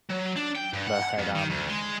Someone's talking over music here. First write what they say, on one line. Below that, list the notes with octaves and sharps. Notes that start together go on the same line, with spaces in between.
but, um,
F#3
D4
G5
G2
F#5
F2
D#3
D2
G#3